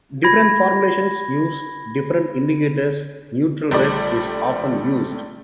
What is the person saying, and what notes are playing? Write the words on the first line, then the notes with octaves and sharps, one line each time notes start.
Different formulations use different indicators; neutral red is often used.
B5 G#6 A#6
A#1 G3 A3 D5